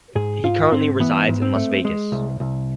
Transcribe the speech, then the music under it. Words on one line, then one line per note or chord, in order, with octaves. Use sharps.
He currently resides in Las Vegas.
G#2 G#4
G#2 F4
G#2 C4
E3 B3
G#2
C4
A3
G#3
C2
C2